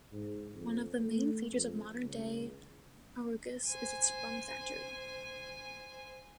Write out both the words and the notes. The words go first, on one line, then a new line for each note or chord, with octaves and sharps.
One of the main features of modern-day Arucas is its rum factory.
G#2
F2
A3
F2
C#2
C5 G#5